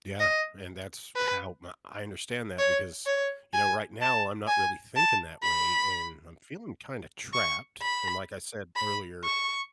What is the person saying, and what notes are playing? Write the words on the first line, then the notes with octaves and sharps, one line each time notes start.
Yeah. And that's how my I understand that because, you know, right now I'm not really thinking that way, and I'm feeling kinda trapped. And, like, I said earlier,
D#5
B4
C#5
C#5
G#5
A5
G#5
A5
B5
C#6
B5
B5
C#6